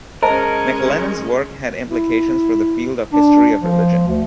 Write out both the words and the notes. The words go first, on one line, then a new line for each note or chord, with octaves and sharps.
McLennan's work had implications for the field of history of religion.
G#3 C#4 A#4 C5 D#5 A5
E4
D4
F3
D2